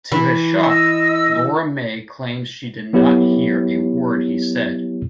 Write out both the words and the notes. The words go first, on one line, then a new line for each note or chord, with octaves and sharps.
To his shock, Lora Mae claims she did not hear a word he said.
E3
D#5 E6
F#3 B3 E4 G4 A4 C#5